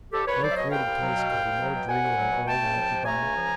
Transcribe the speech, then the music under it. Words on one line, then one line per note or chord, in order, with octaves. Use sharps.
No created place can be more dreary than an old and empty barn.
C2 G4 A4
C2 B4 C#5
F#3 C5 D5
E5
B2 C#5 D#5
C2 F5 G5
C2
F#3
B2
C2
C2
F#3
B2
C2 F#5 G#5
C2
F#3
B2
A3 G5 A5
C#2
F3
C3
A3 G#5 A#5
C#2
F3